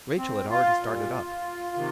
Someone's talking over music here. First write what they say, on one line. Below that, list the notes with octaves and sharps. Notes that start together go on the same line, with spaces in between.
Rachael had already started up.
C4
F4
A#2 G3
C3 D#3